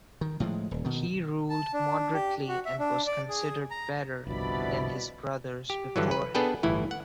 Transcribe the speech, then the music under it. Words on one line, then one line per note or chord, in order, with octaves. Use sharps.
He ruled moderately and was considered better than his brothers before him.
D#3
A2 F3 G#3
D#1
B2 D#3
A5
D4
G4
F#4
E5
D4
D5
G#4
A#5
G1 C2 B2 F3 D4 E4 D5 B5
G4
G2 D3 E3 F#3
B4
B3 D4 G#4 A4 B4 G5
G1 A2 E3 E4
F#5